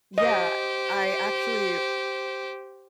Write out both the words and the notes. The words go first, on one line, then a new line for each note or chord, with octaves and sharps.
Yeah, I actually,
G4 C5 D#5